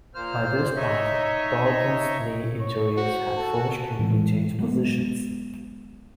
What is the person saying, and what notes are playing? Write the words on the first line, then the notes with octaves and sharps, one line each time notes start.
By this time, Daulton's knee injuries had forced him to change positions.
A#2 A#3 C5 F6
D#4 C#5 D#5 E5
C#5 C#6
F#4 C5
A4 A5
A2 E3 G#3
F#3 G#3 B3